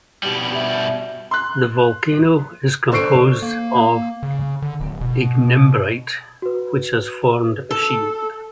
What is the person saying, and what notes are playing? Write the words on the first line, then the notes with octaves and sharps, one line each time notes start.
The volcano is composed of ignimbrite, which has formed a shield.
B2 G3 G4
E5
C6 F#6
D3 C5 C#6 C7 D7
A#3
C#3
D3
D1
B2
F#4 B4
A4